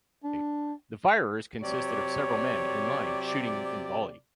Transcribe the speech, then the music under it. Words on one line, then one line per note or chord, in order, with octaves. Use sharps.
The firers consisted of several men in line shooting in volley.
D4
C3 F#3 C#5 D5